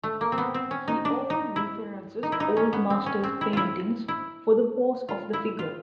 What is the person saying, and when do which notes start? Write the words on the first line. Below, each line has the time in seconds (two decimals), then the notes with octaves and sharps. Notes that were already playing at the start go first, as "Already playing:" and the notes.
He often references Old Masters paintings for the pose of the figure.
0.03 A3
0.21 A#3
0.32 C4
0.38 B3
0.54 C4
0.71 C#4
0.88 D#4
1.05 D4
1.30 D#4
1.56 E4
2.23 D#4
2.32 E4
2.40 D#4
2.57 C#4
2.73 B3
2.90 C4
3.06 C#4
3.23 C4
3.41 E4
3.53 E4 F4
4.08 E4
5.09 F4
5.33 E4
5.59 F4